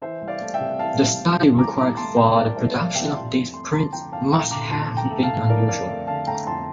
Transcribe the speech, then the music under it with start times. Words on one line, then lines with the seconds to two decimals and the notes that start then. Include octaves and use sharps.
The study required for the production of these prints must have been unusual.
0.01 E3 C5 E5
0.21 C2
0.28 D5 F5
0.41 A3
0.54 E5 G5
0.60 C3
0.79 E3 F5 A5
1.00 C2
1.19 A3
1.38 C3
1.58 E3 A#5 D6
1.78 C2 A#5 D6
1.97 A3 A5 C6
2.16 C3 G5 A#5
2.36 E3 A#4 D5
2.56 C2 C5 E5
2.76 A3 D5 F5
2.95 C3 E5 G5
3.14 F3 A5 C6
3.35 F2
3.53 A3 C6
3.64 D6
3.73 D3 A5 C6
3.93 F3 G5 A#5
4.12 F2 F5 A5
4.32 A3 G5 A#5
4.51 D3 A#5 D6
4.70 F3 A5 C6
4.91 F2
4.97 G5 A#5
5.10 A3
5.23 F5 A5
5.30 D3
5.49 F3 A#4 D5
5.68 F2 D5 F5
5.88 A3
6.07 D3 F5 A5
6.27 A3 G5 A#5
6.47 F2 A5 C6